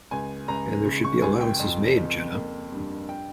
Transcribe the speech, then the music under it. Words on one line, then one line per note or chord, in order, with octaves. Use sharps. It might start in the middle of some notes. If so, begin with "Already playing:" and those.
And there should be allowances made, Jenna.
C#2 G#5
C#2 A#5
C#3
C#6
C#2 G#5
G5
F2
F2
A#3
G2
G5